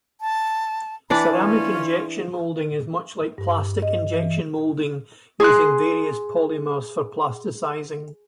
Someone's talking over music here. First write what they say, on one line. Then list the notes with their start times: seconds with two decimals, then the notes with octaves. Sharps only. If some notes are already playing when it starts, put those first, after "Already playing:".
Ceramic injection moulding is much like plastic injection moulding using various polymers for plasticizing.
0.21 A5
1.10 E3 D4 B4 D5 F#5 B5
1.31 C#4 F4
3.38 G2
3.82 D#5
4.14 E3
5.40 G#4 C6 F#6